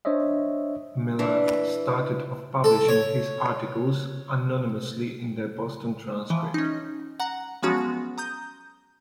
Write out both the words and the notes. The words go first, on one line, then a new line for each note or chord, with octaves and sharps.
Miller started off publishing his articles anonymously in the "Boston Transcript".
D4 C5 C#5 D#5 E5
E3 D4
A4
C#5
E3 F3
C#4 D#4
F#5 A#5
F3 F#3 G#3 B3 C#4 F#4
A#5 D#6 G6